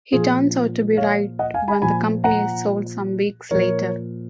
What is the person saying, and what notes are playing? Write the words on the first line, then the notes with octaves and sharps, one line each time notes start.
He turns out to be right when the company is sold some weeks later.
A#2 F3 F4 G#4
C#5 F5
D#5 F#5
F5 G#5
G#5 B5
A#2 F3 G#5 B5
F#5 A#5
A#2 F3 A#4 C#5